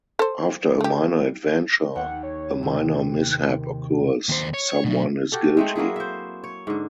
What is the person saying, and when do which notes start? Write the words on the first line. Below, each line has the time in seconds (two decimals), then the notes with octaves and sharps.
After a minor adventure a minor mishap occurs; someone is guilty.
0.19 A4 C5
0.81 A3 G4
1.95 D#2 F#5
2.23 C#5
2.63 C3 D#3
4.29 D#2 C5
4.54 C#5
4.85 B2 F#3
5.32 F#4 G4 A4
5.57 G#3 A3 C4
5.76 F#3 A#3 E4 G#4
5.96 C5 E5
6.44 C#5
6.67 G#2 D3